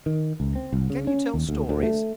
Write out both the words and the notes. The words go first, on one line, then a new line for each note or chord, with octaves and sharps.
'Can you tell stories?
D#3
C#2
C4
C2
C#3
C#4
D#2
D2
D2
A3